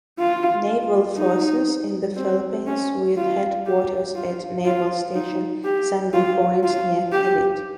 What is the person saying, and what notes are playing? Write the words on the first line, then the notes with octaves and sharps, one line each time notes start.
Naval Forces in the Philippines with headquarters at Naval Station Sangley Point near Cavite.
F4
D#4
C4
C#4
F4
G4
F4
F4
D#4
G4
F4
F4
G4